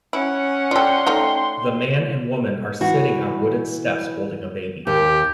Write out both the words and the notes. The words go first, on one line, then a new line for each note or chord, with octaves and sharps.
The man and woman are sitting on wooden steps holding a baby.
C#4 E4 F#5
F4 A4 D5 G5 C6
A3 D#4 F4
E3 F#4
D#2 G4